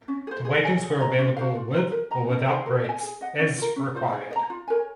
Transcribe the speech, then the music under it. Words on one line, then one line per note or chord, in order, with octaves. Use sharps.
The wagons were available with or without brakes as required.
C#4
G#4
C5
G#4
D#5 G#5
G#4
D#5 A#5
C#4
F#4 C5 F5
F4
C5 F5 A#5
A#4
D#5 A#5
C#4
G#4 C5
A#4
D#5
G#5
G#4
D#5 F#5
C#4
F4 A#4
C#4
F4 C5
G#4
D#5
A#5
F4
A#4 C#5 G#5